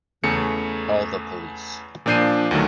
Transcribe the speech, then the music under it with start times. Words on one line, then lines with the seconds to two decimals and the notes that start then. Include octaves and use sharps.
Call the police.
0.24 E2 C#3 A3 C#7
2.06 A#2 F3 D4 G6 C7 D#7
2.51 D2 D#3 F#3 A3